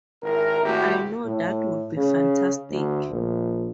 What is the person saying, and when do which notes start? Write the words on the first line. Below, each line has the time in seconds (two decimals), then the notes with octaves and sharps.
I know that would be fantastic.
0.23 G#1 E4 A#4
0.63 G#1 A3 E4 F#4 G4
1.25 A2
1.97 C#3
2.70 D2
3.10 A#1